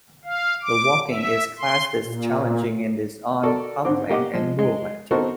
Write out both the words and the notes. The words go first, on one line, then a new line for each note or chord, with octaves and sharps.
The walking is classed as challenging and is on upland and moorland.
F5
D6
E5
C6
A#2
F#4 A4 A#4 D5
G#2 D3 C4 D6
A#3 G4 D#5 F#5 D6
F3 G#3
G#3
B3 C4 D#4 F#4 A4 A#4